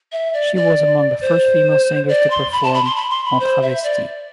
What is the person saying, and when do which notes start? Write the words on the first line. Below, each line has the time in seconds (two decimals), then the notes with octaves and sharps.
She was among the first female singers to perform "en travesti".
0.12 E5
0.34 D5
0.56 D5
1.21 C5
2.09 D5
2.30 C6
2.52 B5
2.64 A5
2.74 B5
2.85 C6
2.96 B5
3.10 C6
3.25 B5
3.40 C5
3.62 E5
3.84 D5